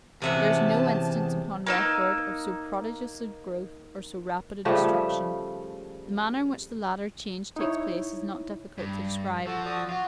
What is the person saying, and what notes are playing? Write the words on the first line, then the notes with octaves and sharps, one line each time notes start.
There is no instance upon record of so prodigious a growth, or so rapid a destruction: the manner in which the latter change takes place is not difficult to describe.
E2 C3 C#4 E5 F#5 A5
A#3 D#4 E6
C#3 F3 G3 A3
D#4 E4 C#5
G2
F3 F#4 A4
F#4 D5 D#6
F4 F#4